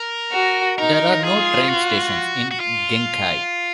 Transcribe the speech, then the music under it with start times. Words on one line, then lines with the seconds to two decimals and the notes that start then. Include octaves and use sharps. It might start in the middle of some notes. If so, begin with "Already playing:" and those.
There are no train stations in Genkai.
Already playing: A#4
0.32 F#4
0.78 D#4 A#4
1.13 A#4
1.23 F4 G#4
1.64 G#4
1.69 F#4
2.51 F#4
2.60 F4